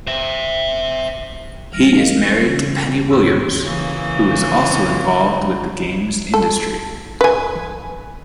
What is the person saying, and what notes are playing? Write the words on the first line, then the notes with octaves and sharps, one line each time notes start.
He is married to Penny Williams, who is also involved with the games industry.
C5 E5
E3 G3 F6 A#6
A#4 D#5 F5
C#3 C#4
D#2 G#2 G4 C#5 B5 E6
C#3 E3 A#3
A4
B4 G#5